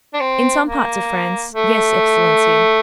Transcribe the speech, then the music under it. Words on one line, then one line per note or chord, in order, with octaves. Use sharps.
"In some parts of France--yes, excellency."
D4
C4
A#3
A3